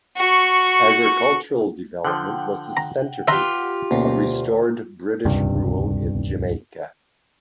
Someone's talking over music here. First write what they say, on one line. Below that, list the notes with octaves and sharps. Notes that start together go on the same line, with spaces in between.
Agricultural development was the centrepiece of restored British rule in Jamaica.
F#4 C#6
D3 F3 F#5 G5
A#5
F4 G4 B4 E5 A#5
D2 B2 A#3 C#4
D#1 C#2 G2 C3